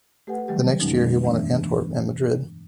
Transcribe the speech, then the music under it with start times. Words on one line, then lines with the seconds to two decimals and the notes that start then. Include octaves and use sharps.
The next year he won at Antwerp and Madrid.
0.27 A3 G4 A4 B4 F#5 G#5
0.48 D#3 F#3 G3 A3 G4
0.80 F2 B2 D3 G#3 C#4 D#4
1.24 G2 E3 A3 B3 D4